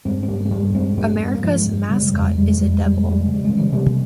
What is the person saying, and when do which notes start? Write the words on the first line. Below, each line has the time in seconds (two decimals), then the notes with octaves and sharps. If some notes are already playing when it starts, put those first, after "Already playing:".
America's mascot is a devil.
0.05 G2 G#3 C4
0.23 C4
0.28 G2 G3 A#3
0.46 G#3
0.51 G2 G3 A#3
0.74 G2 G#3 C4
0.97 G2 G3 A#3
1.21 G2
1.35 A#3
1.43 G2 F3 G#3
1.67 G2
1.90 C#3 G3
2.01 G#3
2.12 F2 G3
2.25 G#3
2.35 F2 G3
2.50 G#3
2.59 F2 G3
2.74 G#3
2.81 F2
2.86 G3
2.97 G#3
3.04 F2
3.10 G3
3.21 G#3
3.28 C#3
3.34 G3
3.45 C#3 G#3
3.57 E3 G3
3.72 C3 G3 A#3